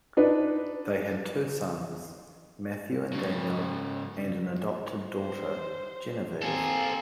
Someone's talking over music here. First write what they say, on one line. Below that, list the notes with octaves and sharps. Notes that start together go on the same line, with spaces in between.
They had two sons, Matthew and Daniel, and an adopted daughter, Genevieve.
D4 D#4 B4
G#2 C#3
C5
A#3 C4 A4 G#5